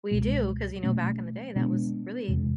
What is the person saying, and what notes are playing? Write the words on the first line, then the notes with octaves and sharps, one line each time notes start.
we do 'cause, you know, back in the day, that was really
C#2 B2 G#3
B2 F#3 A3 C#4
B2 G#3 B3 D4
E2 C3 E3 G#3